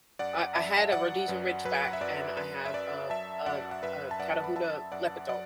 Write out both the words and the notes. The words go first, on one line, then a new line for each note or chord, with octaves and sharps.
I I had a Rhodesian Ridgeback, and I have uh uh uh, Catahoula Leopard dog.
F#2 D5 F#5
F#2 E5 A5
F#3 D5 F#5
F#2 B4
F#3 B4
F#5
E5
F#2 D5
F#2 B4
E5
F#2 D5
F#3 E5 A5
F#2 D5 F#5
F#5
F#2 B4 E5
A5
F#2 D5 F#5
B5
F#2 E5 A5
F#2 D5 F#5
F#3 D5 F#5